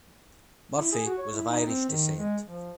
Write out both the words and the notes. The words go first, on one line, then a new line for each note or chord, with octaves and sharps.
Murphy was of Irish descent.
E4
G#4
F#4
C#5
E4
D#4
C4
D#3
G#3
F3